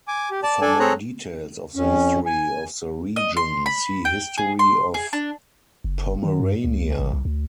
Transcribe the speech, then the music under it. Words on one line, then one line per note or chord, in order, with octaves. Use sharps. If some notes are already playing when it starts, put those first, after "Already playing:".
For more details of the history of the region, see History of Pomerania.
G#5 D6
G4
D5 A5
D4 A4 D5 G#5
C4 G#4 A4 C#5 A#5 F#6
F2 C#4
G#5
D#5
C6
B5
G5
G#4
C6
G#4
D4
F#1
D#3
G2
C#2
A1
C2
D2